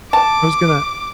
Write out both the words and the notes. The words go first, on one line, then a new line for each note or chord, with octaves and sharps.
I was gonna
A5 D6